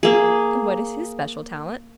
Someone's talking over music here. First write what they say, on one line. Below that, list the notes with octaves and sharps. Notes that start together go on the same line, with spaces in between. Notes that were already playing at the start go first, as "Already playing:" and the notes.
"And what is his especial talent?"
A#3 G#4